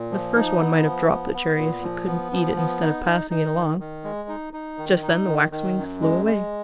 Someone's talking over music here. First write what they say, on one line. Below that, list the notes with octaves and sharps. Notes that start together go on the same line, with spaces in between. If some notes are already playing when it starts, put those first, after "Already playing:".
"The first one might have dropped the cherry if he couldn't eat it instead of passing it along." Just then the Waxwings flew away.
Already playing: A#2
F3
D#4
B3
F3
B3
B3
A#2
F3
B3
F3
B3
D#4
D#4
D#4
D#3
D#3
G#3
D#4
D#4
D#3
D#4
D#3
D#3
F#2
G#3
G#3